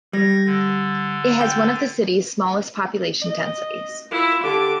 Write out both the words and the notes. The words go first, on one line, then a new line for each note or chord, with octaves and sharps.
It has one of the city's smallest population densities.
G3 G#6 A#6
D3
G5
D#5
E4 F4
D3 G4 D6